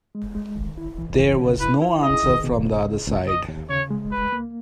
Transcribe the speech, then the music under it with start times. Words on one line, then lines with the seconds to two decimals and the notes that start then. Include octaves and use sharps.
There was no answer from the other side.
0.15 G#3
0.35 G#3
0.56 D#3
0.78 E4
0.98 E3
1.19 E3
1.40 C#3
1.60 E4 B4
1.82 E4
2.03 G#4 D#5
2.24 D#3
2.44 B2
2.65 C#2
2.86 C#2
3.07 C#2
3.28 D#2 D#5
3.49 D#2
3.70 C#3 C#5
3.91 G#3
4.11 C#2 B4
4.32 A#3